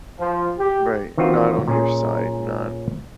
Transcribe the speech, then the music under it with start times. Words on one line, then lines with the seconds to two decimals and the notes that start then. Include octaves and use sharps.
Right, not on your side, not
0.19 F3
0.58 G4
1.18 D#3 E3 C4 F4 F#4
1.68 A#2 C#4 G#4